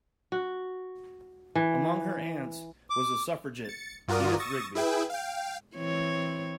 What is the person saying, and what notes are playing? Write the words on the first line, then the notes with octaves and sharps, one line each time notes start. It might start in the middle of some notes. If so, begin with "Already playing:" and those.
Among her aunts was the suffragette Edith Rigby.
F#4
E3
D6
A6 C#7
G2 F4 F#4 A#4 D5 D#6
C#6 D#6 E6 A6 A#6
E4 G#4 B4 E5 G5
F5 G5
E3 C4 C#5